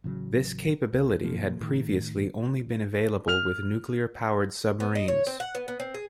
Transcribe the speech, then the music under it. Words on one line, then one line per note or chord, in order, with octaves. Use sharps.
This capability had previously only been available with nuclear-powered submarines.
A1 C#3 F3 F#3
C2
E1 B2 F3 A#3
A2 D#3
F6 F7
B3
D#5
C#5
C4
F#5
B3
B3
C4
G#4